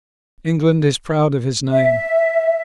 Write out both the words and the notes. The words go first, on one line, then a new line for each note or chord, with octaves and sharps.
England is proud of his name.
E5